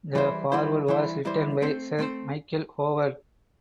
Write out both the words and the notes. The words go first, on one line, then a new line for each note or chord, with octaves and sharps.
The foreword was written by Sir Michael Howard.
E3 G3 E4 C5
E3 G3 E4 C5
E3 G3 E4 C5
E3 G3 E4 C5
A3 C4 A4 C5
A3 C4 A4 C5